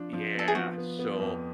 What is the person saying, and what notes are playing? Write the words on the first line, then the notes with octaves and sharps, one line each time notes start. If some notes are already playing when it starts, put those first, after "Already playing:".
Yeah, so
Already playing: F3 D4
F3
B3 A4
G#4
F3 F#4
B3
B3
F2